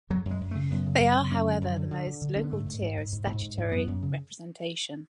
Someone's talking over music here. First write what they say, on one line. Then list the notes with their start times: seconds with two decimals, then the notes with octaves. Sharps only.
They are however the most local tier of statutory representation.
0.10 F#2 F#3
0.25 F#2
0.31 G#3
0.41 F#2
0.51 A3
0.55 C#3
0.71 F#2 B3
0.86 C#3
1.00 F#2
1.16 C#3
1.31 F#2 C#4
1.47 D3
1.61 F#2
1.76 D3
1.91 D3
2.07 D3
2.21 D3
2.36 D3 C#4
2.44 B3
2.51 G#2 A3
2.66 G#2
2.82 G#2
2.97 G#2
3.12 G#2
3.26 G#2
3.42 G#2
3.58 G#2
3.72 F#2 B3
3.87 F#2
4.02 C#3